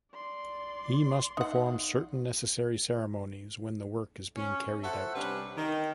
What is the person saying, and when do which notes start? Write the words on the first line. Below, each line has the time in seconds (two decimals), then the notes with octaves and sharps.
He must perform certain necessary ceremonies when the work is being carried out.
0.12 D5 C6
1.37 D#4 F#5
4.37 C#4
4.83 A4 C5 C#5 E5 F#5
5.15 C3 G3 C#4 D4 B4
5.57 D#3